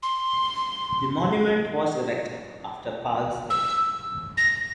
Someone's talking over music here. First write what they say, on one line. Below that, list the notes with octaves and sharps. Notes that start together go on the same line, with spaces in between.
The monument was erected after Pal's death.
C6
E6
A#6